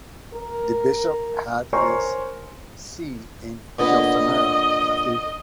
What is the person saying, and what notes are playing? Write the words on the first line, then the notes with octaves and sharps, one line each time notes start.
The bishop had his see in Kilfenora Cathedral.
A#4
A#4 C5 C#5 G#5 C6 C#6
A#2 D3 B3 D#5